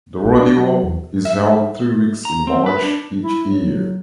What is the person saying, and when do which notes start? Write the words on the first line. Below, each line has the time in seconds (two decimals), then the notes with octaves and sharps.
The rodeo is held three weeks in March, each year.
0.25 B1
0.38 D4
0.57 F#3
0.83 E2
1.25 E5
2.25 A#5
2.47 C4
2.66 B4
2.83 D4
3.23 E4
3.45 F#3